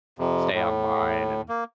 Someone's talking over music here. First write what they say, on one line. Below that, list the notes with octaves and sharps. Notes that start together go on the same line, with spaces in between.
stay online," and
F2 C3
A2
A#3